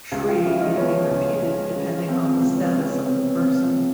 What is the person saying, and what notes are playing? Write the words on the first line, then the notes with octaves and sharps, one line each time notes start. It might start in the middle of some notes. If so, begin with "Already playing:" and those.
"Shri" may be repeated depending on the status of the person.
C#2 F4 G4
F4 G4
C#3 E4 F#4
D#4 F4
F3 B3 C#4
C#2
C#2
C#3
F3 C4
C4
C#2 C4
B3 C#4
C#2 B3 C#4
B3 C#4
C3 C4
B3
F3 C4